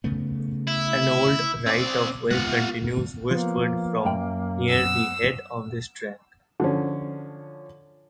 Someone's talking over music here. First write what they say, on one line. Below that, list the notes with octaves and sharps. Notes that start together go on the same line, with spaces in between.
An old right of way continues westwards from near the head of this track.
C#3 A3 B3
E4
C4 D5
G#3 B3 F4 F#5
F3 A#3 B3
F#2 G5
B3 E6
D3 F3 C#4